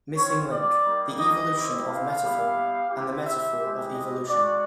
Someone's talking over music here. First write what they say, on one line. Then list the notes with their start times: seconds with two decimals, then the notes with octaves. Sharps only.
Missing Link: the Evolution of Metaphor and the Metaphor of Evolution.
0.16 C4 F4 C#5
0.51 D5
0.85 G3 A#3 D#4
1.20 D#5
1.53 C4 E4 G4
1.88 F5
2.22 G3 B3 E4 G4
2.91 C4 E4 G4
3.25 E5
3.59 G#3 C4 E4 G4
3.94 D#5
4.28 G#3 C#4 F#4 D5